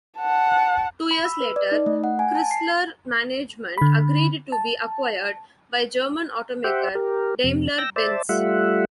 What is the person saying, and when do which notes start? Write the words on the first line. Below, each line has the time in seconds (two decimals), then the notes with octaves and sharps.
Two years later, Chrysler management agreed to be acquired by German automaker Daimler-Benz.
0.19 F#5 A5
1.11 B5
1.25 E6
1.40 B4
1.56 D5
1.72 D#4
1.86 A3
2.04 F#5
2.19 G#5
2.35 A5
2.51 C7
3.78 D3 B5
4.52 A5
6.64 G4 C5 E5 F#5 G5
6.95 G4 A#4
7.44 F2 C3
7.78 G5 E6 A#6
7.96 C5 D5 E5 A5
8.29 G3 A3 F4 E5 F#5